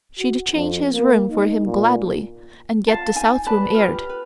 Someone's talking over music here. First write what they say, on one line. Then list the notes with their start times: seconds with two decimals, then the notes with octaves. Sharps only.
She'd change his room for him gladly, and get the south room aired.
0.19 F#4
0.54 F2
0.93 A#3
1.30 D#4
1.66 A#2
2.87 F4 F5 A5
3.15 D#4 G#5
3.47 B4 D5 A5
3.75 F4 G4 F6
4.09 B4